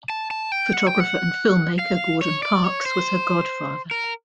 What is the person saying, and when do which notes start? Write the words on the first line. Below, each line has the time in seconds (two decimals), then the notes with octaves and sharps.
Photographer and film-maker Gordon Parks was her godfather.
0.10 A5
0.31 A5
0.52 G5
0.73 F#5
0.87 G5
1.00 F#5
1.79 F5
2.22 C#5
2.43 D5
2.64 C#5
2.86 C5
3.91 A#4